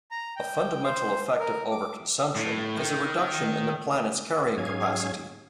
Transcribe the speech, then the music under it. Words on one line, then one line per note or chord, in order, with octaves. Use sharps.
A fundamental effect of overconsumption is a reduction in the planet's carrying capacity.
A#5
G5
C5
A#4
D6
A2
D#3
G#2 F#3 C#4 G#4 F5 G#6